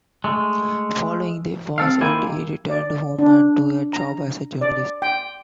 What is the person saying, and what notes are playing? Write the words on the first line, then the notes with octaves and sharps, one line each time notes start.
Following the war's end, he returned home and to a job as a journalist.
G#3 A3
C4 A4 F5
D#3 A#3 E4 G4 G#5 C6
D5
D4
A#5
D5
G5